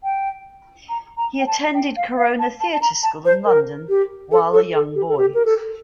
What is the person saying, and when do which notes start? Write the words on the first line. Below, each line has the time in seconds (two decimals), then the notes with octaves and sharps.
He attended Corona Theatre School in London while a young boy.
0.04 G5
0.89 A#5
1.17 A#5
1.40 G5
1.47 A5
1.75 G5
1.97 F5
2.18 F5
2.39 A5
2.61 A5
2.73 A5
2.82 A#5
3.03 A5
3.25 C5
3.46 A#4
3.89 G4
4.31 A4
4.53 A4
4.74 A4
4.95 G4
5.09 A4
5.17 G4
5.35 A#4
5.45 A4